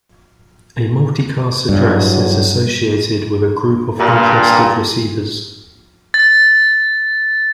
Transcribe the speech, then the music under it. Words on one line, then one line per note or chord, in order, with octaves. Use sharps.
A multicast address is associated with a group of interested receivers.
E2 G2 D3 F#3
G2 A#2
A6